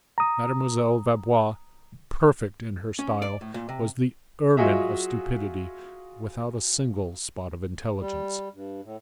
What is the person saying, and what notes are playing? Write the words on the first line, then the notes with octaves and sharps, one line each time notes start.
Mademoiselle Vaubois, perfect in her style, was the ermine of stupidity without a single spot of intelligence.
A#5 D#6
C#4
D5
A2
A#2
C3
F#3 F4 F#4 G#4 D#5 E5
G3
G2
A2